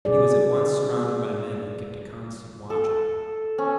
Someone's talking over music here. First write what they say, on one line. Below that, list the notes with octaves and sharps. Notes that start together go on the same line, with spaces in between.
He was at once surrounded by men who kept a constant watch on him.
B2 G3 G#4 D5
A4
C#4